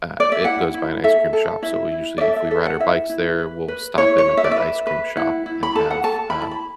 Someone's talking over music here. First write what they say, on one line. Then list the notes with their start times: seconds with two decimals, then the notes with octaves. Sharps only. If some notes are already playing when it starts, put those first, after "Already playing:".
uh, it goes by an ice cream shop, so we usually if we ride our bikes there, we'll stop in at that ice cream shop and have, um
0.20 D5
0.32 E5
0.45 E4 F#5
0.74 E4
1.04 A4 E5
1.33 A4
1.62 E4 E5
1.92 E4
2.18 D5
2.21 A4 E5
2.36 E5
2.51 A4 E5
2.66 F#5
2.80 E4 E5
3.10 E4
3.39 B4
3.68 B4
3.98 E4 C#5
4.18 C#5
4.28 E4
4.37 E5
4.44 D5
4.51 E5
4.57 B4
4.87 B4
5.17 E4 F#5
5.46 E4
5.63 B5
5.76 A4 A5
5.90 F#5
6.04 A4 A5
6.30 E4 B5
6.42 A5
6.51 B5